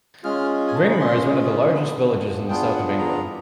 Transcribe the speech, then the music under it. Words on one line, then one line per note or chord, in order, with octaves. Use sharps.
Ringmer is one of the largest villages in the south of England.
G#3 C#4 F4 G#4 F6
G#5
A5
A#5
B5
G#3 C#4 F4 G#4 C6
B3 D4 F4 G#4 B5
B3 D4 F4 G#4 G5
F#5
A#5
B3 E4 G4